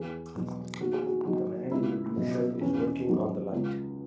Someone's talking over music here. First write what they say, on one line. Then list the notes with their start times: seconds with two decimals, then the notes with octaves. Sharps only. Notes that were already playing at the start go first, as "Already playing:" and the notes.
The man in the blue shirt is working on the light.
Already playing: E2 G#4
0.35 B2 F#3
0.80 D#2 F#4
0.93 G#4
1.06 F#4
1.25 D#3 F#3 F#4
1.71 C#2 E4
2.16 B2 F#3
2.61 E2 C#4
3.07 D#3 F#3
3.52 C#2